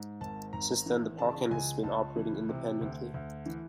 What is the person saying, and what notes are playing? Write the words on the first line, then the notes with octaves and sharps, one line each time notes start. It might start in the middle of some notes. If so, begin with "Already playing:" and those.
Since then, the park has been operating independently.
Already playing: G#2
G#1 A5
G#1 A#5
E3
C#3 A5
C#2 G#5
C#2 A5
E3
C3
D2
D2
E3